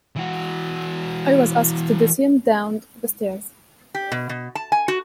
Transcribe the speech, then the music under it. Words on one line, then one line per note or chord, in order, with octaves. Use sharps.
I was asked to descend down the stairs.
E3 F#4
G4
B2
B2
A5
G#5
F#4